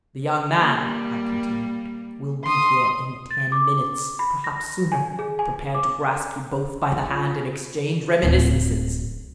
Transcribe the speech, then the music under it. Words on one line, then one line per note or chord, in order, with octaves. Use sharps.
"The young man," I continued, "will be here in ten minutes--perhaps sooner--prepared to grasp you both by the hand and exchange reminiscences."
G3 A#3
C6 D#6
A6
D6
B5
A#6
G#5
G#4
G#5
D6
F4
D1 F#2